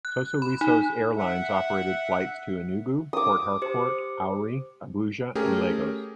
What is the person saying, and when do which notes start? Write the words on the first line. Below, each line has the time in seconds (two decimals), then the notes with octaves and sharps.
Sosoliso Airlines operated flights to Enugu, Port Harcourt, Owerri, Abuja and Lagos.
0.05 F#6
0.42 B5
0.61 D#4
1.17 E5 F#5
3.13 D6 D#6
3.62 G4 C5 C#7
5.35 A3 C#4 G4 G#4 A#4